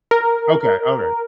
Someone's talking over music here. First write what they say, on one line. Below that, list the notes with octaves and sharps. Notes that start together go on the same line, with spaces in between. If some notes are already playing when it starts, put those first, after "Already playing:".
Okay, alright.
A#4